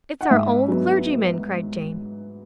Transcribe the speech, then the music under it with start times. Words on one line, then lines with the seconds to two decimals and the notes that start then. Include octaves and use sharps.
'It's our own clergyman,' cried Jane.
0.21 F#5
0.31 G#2 E5
0.68 F#3 B3